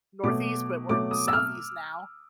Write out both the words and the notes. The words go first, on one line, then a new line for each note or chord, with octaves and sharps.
Northeast, but we're Southeast now.
B2 F#3 A3 D6
B2 F#3 A3 D6
D#6
E6
F6